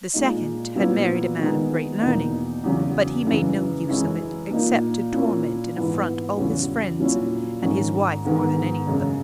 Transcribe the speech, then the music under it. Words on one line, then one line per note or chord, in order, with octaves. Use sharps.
The second had married a man of great learning; but he made no use of it, except to torment and affront all his friends, and his wife more than any of them.
A#2 G#3 D#4
A#2 F#3 B3 E4
D#3 G#3 B3 D#4
E2 B2 A#3 D#4
E2 C#3 F#3
F#2 C#3 E3 G#3
F#2 E3 G#3 C#4 E4
A#2 A#3 D#4
A#2 A#3 C#4 E4
G#2 E3 B3 E4
E2 C#3 F#3 C#4 E4
A#2 F#3 C#4 E4
G#2 D#3 G#3 C#4
G#2 D#3 G#3 B3
F#2 C#3 G#3